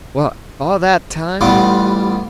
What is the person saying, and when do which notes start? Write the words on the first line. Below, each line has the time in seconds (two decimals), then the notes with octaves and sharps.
"What, all that time?"
1.41 A1 G3 B3 F4 D6 D#6